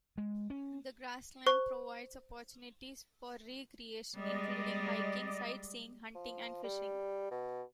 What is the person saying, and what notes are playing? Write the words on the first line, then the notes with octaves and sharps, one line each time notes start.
The Grassland provides opportunities for recreation, including hiking, sightseeing, hunting, and fishing.
G#3
C#4
C5 C#6
G3 G#3 D5 D#5
F3
G3
B2